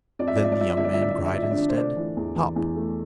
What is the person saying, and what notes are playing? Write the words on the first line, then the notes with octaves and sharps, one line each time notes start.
Then the young man cried instead, 'Hop!
F2 D5
E5
F3 D5
E5
D5
F2 E5
D5
G1 E5
D5
E5
D3 D5
E5
D3 D5
E5
D5
F3
E5
D4 D5
D3
C5
A3 D4 D5
E3
E2
E3
E2
A3